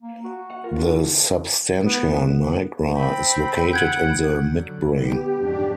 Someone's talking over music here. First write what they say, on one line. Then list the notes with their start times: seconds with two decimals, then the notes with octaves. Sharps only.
The substantia nigra is located in the midbrain.
0.02 A#3
0.24 F#4
0.50 F#5
0.64 F4 A#4
0.76 D3
1.86 B3
2.96 C4 G5 B5
3.73 F#5 G6 G#6 D7 F#7
4.49 D3 F#3
4.98 B3 G4
5.38 F2 G#2 F#3 D4 G4